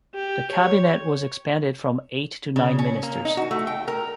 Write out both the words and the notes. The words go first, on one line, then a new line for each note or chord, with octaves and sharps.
The cabinet was expanded from eight to nine ministers.
G4
C#5
C#3
C#4
A#3
D#4
F#4
A3
G5
A#4